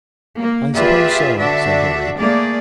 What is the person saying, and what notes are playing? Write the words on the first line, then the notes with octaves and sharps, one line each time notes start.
"I suppose so," said Harry.
A#3
F4 G4 G#4 B4 D5 E5
D3 D4 F#4 E5
A3 A#3 G#4 D5